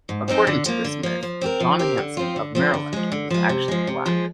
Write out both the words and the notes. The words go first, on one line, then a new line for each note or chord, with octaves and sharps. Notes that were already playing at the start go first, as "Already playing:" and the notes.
According to this myth, John Hanson of Maryland was actually black.
G#2
F3 C4 D#4 G#4
D3
F3 A#3
D3
F3 A#3
F3
C4 G4 A#4
F3
C4 G4 A#4
D3
F3 C4 F4
D3
F3 C4 F4
D3
F3 G#3
D3
F3 G#3
C3
F3 G#3
C3
F3 G#3